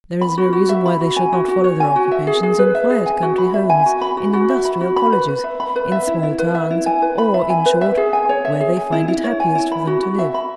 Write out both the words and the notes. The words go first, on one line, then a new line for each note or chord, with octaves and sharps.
There is no reason why they should not follow their occupations in quiet country homes, in industrial colleges, in small towns, or, in short, where they find it happiest for them to live.
B5
F#4
F#4
E5
B5
F#4
G#5
F#4
F#4
C#5
G#5
F#4
E5
G#4
G#4
B4
E5
G#4
G#5
F#4
B5
E5
G#5
F#4
B5
F#4
F#4
E5
B5
F#4
B5
B4
B4
E5
B5
B4
E5
E4
E4
B4
E5
E4
G#5
B4
B5
E5
G#5
B4
E5
G#4
G#5
C#5
E5
G#4
G#5
E4
E4
C#5
G#5
E4
B5
F#4
F#4
E5
B5